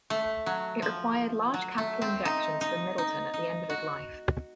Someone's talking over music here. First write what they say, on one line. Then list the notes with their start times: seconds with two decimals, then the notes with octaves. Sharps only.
It required large capital injections from Middleton at the end of his life.
0.10 A3
0.46 F#3
0.82 F3
1.54 F#3
1.78 A3
2.02 C4
2.25 D#4
2.61 D#4
2.98 D#4
3.34 D#4
3.70 F#4